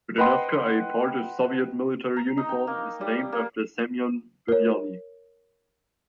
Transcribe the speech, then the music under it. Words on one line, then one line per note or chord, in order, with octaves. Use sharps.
Budenovka, a part of Soviet military uniform, is named after Semyon Budyonny.
B4 D#5 F#5 G5 C6
A#5
D#4
G5
A#3
G3
A#3
A#4 C#5